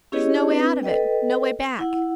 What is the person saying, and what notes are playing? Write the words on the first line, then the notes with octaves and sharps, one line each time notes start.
There's no way out of it, no way back.
C#4 E4 G4 G#4 C#5 D#5
C4 D4 B4
A4 B4 D#5 G5
E4 F#5